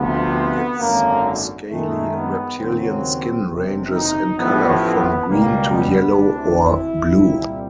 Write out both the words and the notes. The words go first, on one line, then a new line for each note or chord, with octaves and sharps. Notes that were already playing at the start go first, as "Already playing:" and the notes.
Its scaly reptilian skin ranges in color from green to yellow or blue.
Already playing: D2 C3 F3 B3
G#1 F#2 D3 A#3
F#2 D#3 G#3 A3
B3
D#2 C#3 F#3 C4
F#1 E2 C3
D#4
A1 A2 F3 B3
B3
C#2 B2 G3 A#3
B3
D2 C3 E3 D4
E4
C2 A#2 G3